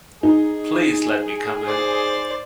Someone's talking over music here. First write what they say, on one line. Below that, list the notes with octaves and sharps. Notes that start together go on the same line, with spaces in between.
Please let me come in.
D#4 G#4
C5 D5